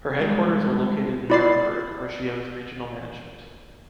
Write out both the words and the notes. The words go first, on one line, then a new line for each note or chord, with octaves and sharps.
Her headquarters are located in Nuremberg, she owns regional management.
G2 B2 D#3 F#3 G#3
E4 F4 D5 B5 A6 C7